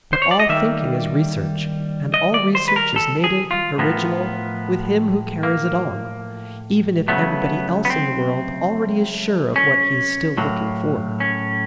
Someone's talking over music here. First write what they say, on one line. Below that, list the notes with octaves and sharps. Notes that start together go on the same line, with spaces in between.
But all thinking is research, and all research is native, original, with him who carries it on, even if everybody else in the world already is sure of what he is still looking for.
C5
C#5
D5
D#5
D#3 G3 A#3 E5
D#5
D5
C5
B4
A#4
A4
G#4
F4
A2 F3 A#3 B3
A#3
C#3 F#3 A3 B3
B3
C4
C#4
A2 F#3 A#3
C#4